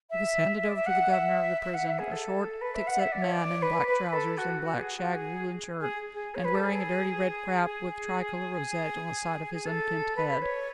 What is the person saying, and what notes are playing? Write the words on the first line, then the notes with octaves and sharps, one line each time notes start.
She was handed over to the governor of the prison, a short, thick-set man in black trousers and black-shag woollen shirt, and wearing a dirty red cap, with tricolour rosette on the side of his unkempt head.
E5
E5
D5
E5
F#5
E5
E5
F#5
E5
G#4
A4
B4
E5
F#5
E5
D5
C#5
D5
B4
B4
A4
F#4
F#4
G#4
F#4
G#4
G#4
G#4
C#5
B4
A4
G#4
G#4
G#4
A4
B4
C#5